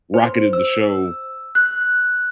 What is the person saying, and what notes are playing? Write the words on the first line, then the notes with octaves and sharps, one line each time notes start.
rocketed the show
C5
E6
F#6